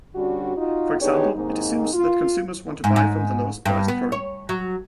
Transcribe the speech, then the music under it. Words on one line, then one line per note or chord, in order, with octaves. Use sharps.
For example, it assumes that consumers want to buy from the lowest priced firm.
D3 G3 C#4 D4 F#4
D#4 F4 F#4
B3 D4 D#4 G4 G#4 C#5
D#2 G#2 A#3 C4 D#4
F4
G#2
G#2
G2
B3
C#5
F#3